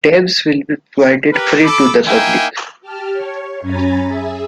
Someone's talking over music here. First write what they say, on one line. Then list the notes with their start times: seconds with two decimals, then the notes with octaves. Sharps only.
Tabs will be provided free to the public.
1.33 G4 A#4 B4
1.64 A4 B5 D6
2.07 A#3 D#4 E4 E5 G5 G#5
2.81 G4 A5 F6
3.13 C#5
3.62 F#2 C#4 G#5 A#5 B5 A6
4.07 G#4 E5